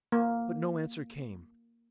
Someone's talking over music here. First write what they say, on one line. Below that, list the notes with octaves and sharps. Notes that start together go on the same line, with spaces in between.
But no answer came.
A#3